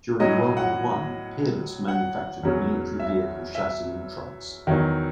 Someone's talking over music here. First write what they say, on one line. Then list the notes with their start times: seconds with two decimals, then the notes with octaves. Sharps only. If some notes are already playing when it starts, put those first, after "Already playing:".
During World War One, Peerless manufactured military vehicle chassis and trucks.
0.20 A2 F#3 D#5
0.57 F#5
1.88 F#5
2.43 E2 C#3 F#3
2.99 E5
3.55 E5
4.67 E2 D#3 F#3